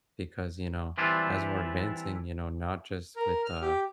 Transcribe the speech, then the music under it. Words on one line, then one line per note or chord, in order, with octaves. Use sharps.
because, you know, as we're advancing, you know, not, just, with, uh,
E3 G3 C4 D4 E4 F4
A#4
F6
G4